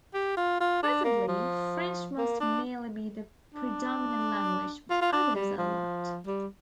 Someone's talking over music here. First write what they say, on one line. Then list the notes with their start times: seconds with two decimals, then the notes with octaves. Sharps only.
Presently, French must merely be the predominant language, but others are allowed.
0.14 G4
0.37 F4
0.60 F4
0.83 D4
1.04 A#3
1.28 F3
2.18 A#3
2.40 D4
3.54 D4
4.90 F4
5.01 F4
5.13 D4
5.35 G3
5.58 F3
6.27 G3